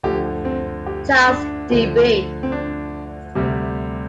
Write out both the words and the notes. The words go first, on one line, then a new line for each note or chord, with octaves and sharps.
Charles D. B.
D2 D3 F3 G4
C4
G4
D4
D2 D3 F3
C4
D4
D2 C3 G3